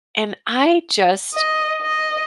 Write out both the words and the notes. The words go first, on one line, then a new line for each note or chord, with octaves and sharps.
and I just
D#5
D#5